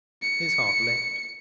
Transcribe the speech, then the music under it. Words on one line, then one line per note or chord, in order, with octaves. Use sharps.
His heart leapt.
C#7